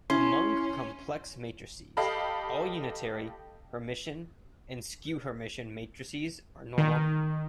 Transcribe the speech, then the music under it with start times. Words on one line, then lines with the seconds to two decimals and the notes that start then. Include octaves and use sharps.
Among complex matrices, all unitary, Hermitian, and skew-Hermitian matrices are normal.
0.10 C#4 E4 C6
1.97 G4 A4 D#5 F5 A5 B5
6.78 D#3